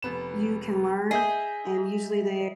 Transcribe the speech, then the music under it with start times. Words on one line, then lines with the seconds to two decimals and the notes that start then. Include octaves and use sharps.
You can learn, and usually they
0.02 F1 B3 E7
1.11 G#4 D#5 E5 G6